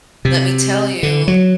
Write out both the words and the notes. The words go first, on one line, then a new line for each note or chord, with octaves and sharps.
let me tell you,
C3
D3
F#3